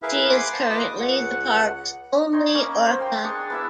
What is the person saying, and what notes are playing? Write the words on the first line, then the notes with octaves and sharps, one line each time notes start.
She is currently the park's only orca.
E4 G#4 A#4 B4 E5 F5
F#5 G#5 B5 C6 D6
C5 A5
F4 B4 D#5 D6 D#6
C#2 F#5
D#4 C#5 C6
A#3 C#4 B5
C5
F5 G5 C6
D4 G#4 C#6 D#6
B3 E4 E5